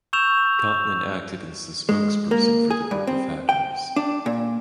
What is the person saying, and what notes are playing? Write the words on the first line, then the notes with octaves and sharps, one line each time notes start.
Kottmann acted as the spokesperson for the group of hackers.
C#6 E6 G6 E7 F7
G#3
A#3
G#4
G2
C4
G5
D4
A#2